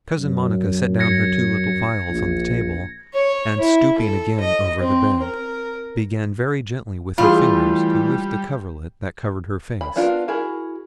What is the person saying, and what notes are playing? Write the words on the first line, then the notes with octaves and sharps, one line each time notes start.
Cousin Monica set down her two little vials on the table, and, stooping again over the bed, began very gently with her fingers to lift the coverlet that covered her face.
F#2
G#6 A#6 C#7
A#1
C#5
E4
A4
D#5
C4
A#4
E3 G3 A3 D4 F4 G#4 B5
B5
B3 D4 F4 A4 A#4
E4 F#4 G#4 A#4